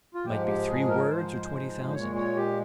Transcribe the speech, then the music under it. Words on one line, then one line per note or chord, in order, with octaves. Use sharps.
It might be three words or twenty thousand.
F4
G#2 F3 G#3 G4
G4
G#4
A#4
G#2 F3 G#3 C5
C5
A#2 G#3 C#5
C#5
G4